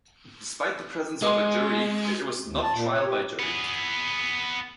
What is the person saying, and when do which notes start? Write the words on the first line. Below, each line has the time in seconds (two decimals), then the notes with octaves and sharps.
Despite the presence of a Jury, it was not "trial by jury".
1.22 G#3 D#5 C6
2.46 D#2
2.63 A5
2.74 A#2
2.92 C#5
3.06 G4
3.39 B3 G#4